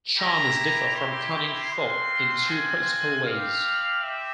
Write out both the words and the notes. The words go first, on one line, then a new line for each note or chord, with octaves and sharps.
Charmers differ from cunning folk in two principal ways.
A#3 E4 G4 A#5
C6
G#3 C4 F4 C6
G#5
C4 G4 F5
E5